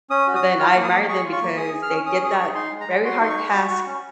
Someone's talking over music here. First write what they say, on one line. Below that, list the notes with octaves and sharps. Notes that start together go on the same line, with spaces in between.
but then I admire them because they did that very hard task
C#4 D#6
F#4
D#6
F#4
F4 F6
A#3
D#6
A#3
G#4 C#6
F4
C#6
A#3
G#4 D#6
G#4
F6
C#4
C#4 D#6
G#4 D#6
C#6
G#4
D#4 C6
G#3
A#5
G#3
F#4 C6
D#4 C6
C#6
G#3
F#4
F#4
C#4